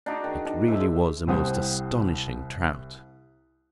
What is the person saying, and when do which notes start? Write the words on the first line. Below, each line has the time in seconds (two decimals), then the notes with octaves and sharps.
It really was a most astonishing trout.
0.06 D4 D#4 F#4
0.24 D#3
0.45 D4
0.68 G#3 C5 E5
1.27 C2 G3 C5 F#5 D#6